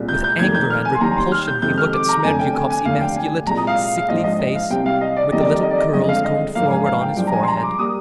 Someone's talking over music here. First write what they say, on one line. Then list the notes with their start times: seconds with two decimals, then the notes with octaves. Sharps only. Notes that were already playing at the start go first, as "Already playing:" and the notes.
With anger and repulsion he looked at Smerdyakov's emasculate, sickly face, with the little curls combed forward on his forehead.
Already playing: C2 A#2 G#3
0.08 G6
0.24 G6
0.39 F1 F2 D#3 A#3 G#6
0.54 G6
0.70 F6
0.85 G#5
0.95 C6
1.01 D#2 D#3 G3 A#5
1.16 C6
1.32 F6
1.47 G6
1.62 F2 C3 D#3 G#3 G6
1.78 F6
1.93 D6
2.09 A#5
2.24 F1 F2 D3 G#5
2.39 G5
2.55 G#5
2.70 G#5
2.85 F1 D#2 D3 F5
3.01 G5
3.16 G#5
3.47 C2 A#2 G#3 A#5
3.57 D#6
3.67 F5
3.98 F5
4.08 A#1 G#2 F3 D#5
4.24 D#5
4.39 D#5
4.55 F5
4.70 C2 C3 G3 G5
4.86 F5
5.01 D#5
5.16 D5
5.32 F2 D#3 G3 A#3 D#5
5.41 D5
5.47 D#5
5.63 D#5
5.71 D5
5.78 D#5
5.93 G1 F2 D3 G#3 D#5
6.09 F5
6.24 D#5
6.55 A#1 G#2 F3 A#3 F5
6.71 G#5
6.86 F5
7.01 G5
7.17 G2 F3 G#3 G5
7.27 A#5
7.32 G#5
7.43 C6
7.48 A#5
7.63 D6
7.79 G3 A#3 D#6